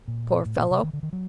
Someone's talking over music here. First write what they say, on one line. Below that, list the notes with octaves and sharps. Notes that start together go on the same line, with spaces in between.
Poor fellow!
A#2
A2
A#2
C3
D#3
D3
D#3
F#3